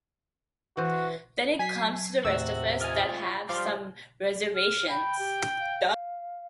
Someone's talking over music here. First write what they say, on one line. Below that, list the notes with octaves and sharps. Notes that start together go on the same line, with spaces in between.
Then it comes to the rest of us that have had some reservations.
E3 F#4 C5
F#3 G#5 B6 C7
D#2 A2 C3 F#4 E6
F4 D#5 G#5 F6
F3 G3 F5 C6 D6
F6
G5 B5
G4
F5